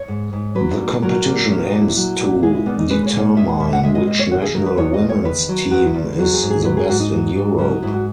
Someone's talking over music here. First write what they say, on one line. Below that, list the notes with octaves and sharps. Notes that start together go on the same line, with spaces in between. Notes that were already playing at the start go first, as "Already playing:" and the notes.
The competition aims to determine which national women's team is the best in Europe.
Already playing: C#5
G#2
G#2
F#3 B4
A#2
F#3 A#4
A#2
F#3 C#4
D#4
A#2
E4
F#3
A#2
G#3 G#4
E4
A#2 B3
D#4
G#3 B4
C#5
A#2
C#5
G#3 E5
F#5
A#2 E5
F#5
G#3 E5
D#5
A#2 D#5
C#5
D#3 F#4
G#4
F#3 A#4
B4
E2 C#5
D#5
E2
C#5
D#3 B4
F#3
E2 F#4
E4
E2
F#3 F#4
G#4
G#2
G#4
F#3 B4
G#4
G#2 F#4
D#4
F#3 D#4
G#2
F#3 C#4
D#4
G#2 E4
F#4